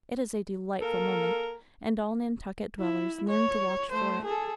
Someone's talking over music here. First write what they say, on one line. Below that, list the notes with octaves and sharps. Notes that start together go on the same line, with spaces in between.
It is a delightful moment, and all Nantucket dwellers learn to watch for it.
A#3 A4 A#4
E4
C#5
A3 C5
G#4 A4